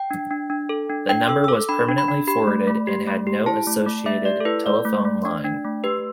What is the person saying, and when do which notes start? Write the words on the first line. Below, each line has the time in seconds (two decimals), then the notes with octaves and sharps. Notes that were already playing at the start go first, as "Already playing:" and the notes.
The number was permanently forwarded and had no associated telephone line.
Already playing: G5
0.11 D4
0.31 D4
0.50 D4
0.69 A4
0.90 D4
1.09 D4 G5
1.29 A4 E6
1.44 E6
1.48 A4 D6
1.69 D4 B5
1.89 D4
1.98 B5
2.08 D4
2.27 G4 B5
2.47 A3
2.67 A3
2.87 G4
3.07 A3
3.27 G4
3.46 E4 A5
3.67 A3
3.86 A3
4.06 A3 E5
4.25 G4 D5
4.40 A4
4.45 E4 B4
4.66 A3 D5
4.85 A3
5.05 A3
5.25 D4
5.44 D4
5.64 A3
5.84 G4 B4